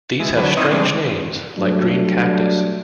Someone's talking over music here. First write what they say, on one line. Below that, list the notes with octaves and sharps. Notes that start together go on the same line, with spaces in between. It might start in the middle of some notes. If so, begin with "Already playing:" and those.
These have strange names like Green Cactus.
E3 G#3
D3 F#3 B4
C4 D#4 E4 C#5 D#5
C#3 G3 G#3 C4 D4
F#3 G3 A3 D4